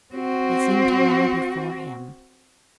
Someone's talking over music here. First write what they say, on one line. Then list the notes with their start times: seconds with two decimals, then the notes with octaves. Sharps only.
It seemed to lie before him.
0.14 C4 F#4